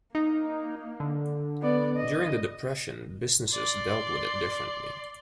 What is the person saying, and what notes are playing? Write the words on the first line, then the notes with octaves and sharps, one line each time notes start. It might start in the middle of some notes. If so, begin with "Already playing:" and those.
During the depression, businesses dealt with it differently.
A#3 D#4
D3
B3 D5
D#5
D5 C6